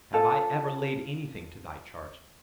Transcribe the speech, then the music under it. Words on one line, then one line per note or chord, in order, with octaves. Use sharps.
Have I ever laid anything to Thy charge?
F4 A4